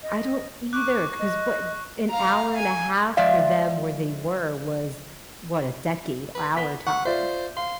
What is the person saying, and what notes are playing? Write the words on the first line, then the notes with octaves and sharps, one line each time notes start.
I don't either 'cause what an hour and a half for them, where they were was, what? A decade, our time?
D#5
C#6 D6 F#6
D#5
F5 A#5
G#5
F3 G#3 D5 E5 F5
B4
B3 B6
F#5 C#6
F4 C5 D5 E5
F5 C6